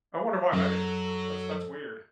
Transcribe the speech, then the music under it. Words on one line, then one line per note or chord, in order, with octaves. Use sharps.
I wonder why that is. That's that's weird.
F#2 F#3 A4